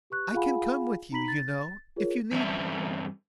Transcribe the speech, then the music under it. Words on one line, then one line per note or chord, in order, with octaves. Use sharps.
I can come with you, you know, if you need me.
G4 B4 C#6 F#6
F4 G#4 F5 F#5 G#5 B5
D#4 A#5 B5 B6 F#7
A6
F4 G#4 A#4 C#5
E2 G2 C4 C#4 E5